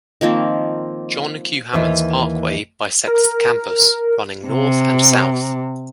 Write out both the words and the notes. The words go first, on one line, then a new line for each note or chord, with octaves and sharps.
John Q. Hammons Parkway bisects the campus, running north and south.
D#3 F3 A#3 C4
D#2 E3 C5
A#4
C3